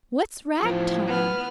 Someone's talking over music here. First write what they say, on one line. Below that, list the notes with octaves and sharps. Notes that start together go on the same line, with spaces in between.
"What's rag-time?"
E2 A2 F3
B3 F6